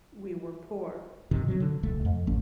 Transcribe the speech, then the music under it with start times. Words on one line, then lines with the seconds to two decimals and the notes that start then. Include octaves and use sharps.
We were poor.
1.31 G#2 C3 D#3
1.48 C3 F#3
1.60 D3
1.83 D1 C#2 A3
2.05 F2
2.27 A1 A3 C#4